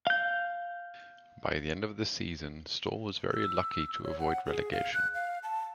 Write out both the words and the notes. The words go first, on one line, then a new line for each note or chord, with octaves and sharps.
By the end of the season, Stal was very lucky to avoid relegation.
F5 G6
E6
C#5
F#5
G#4
F5
F#6
F5
A5